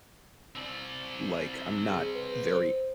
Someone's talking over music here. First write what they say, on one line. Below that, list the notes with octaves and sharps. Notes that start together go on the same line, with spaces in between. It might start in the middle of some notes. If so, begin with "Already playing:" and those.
like, I'm not very
C4 D5
G#4
B4
C5